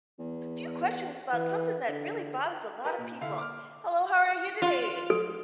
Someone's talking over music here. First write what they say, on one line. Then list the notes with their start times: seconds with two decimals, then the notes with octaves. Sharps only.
few questions about something that really bothers a lot of people. Hello, how are you today?
0.19 E2
1.32 E3
1.88 D3
2.84 G4 A#4 B4 D#5 A5
2.98 A#2
3.21 D3 E4 F5
3.38 D6 F6
4.62 F4
5.10 A4